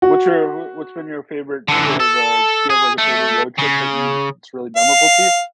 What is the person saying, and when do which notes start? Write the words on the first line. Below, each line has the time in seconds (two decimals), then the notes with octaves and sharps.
what's your what's been your favorite, sort of uh, do you have, like, a favorite road trip that you it's really memorable to you?
0.02 F#4
1.68 D3 E3
2.00 A4
2.70 G#4
2.98 A3
3.58 C#3
4.76 F5